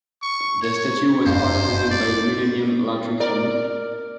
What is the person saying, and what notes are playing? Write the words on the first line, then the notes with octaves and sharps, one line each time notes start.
The statue was part-funded by the millennium lottery fund.
C#6
C#5
F#1 G2 C5
D5
A#4 D5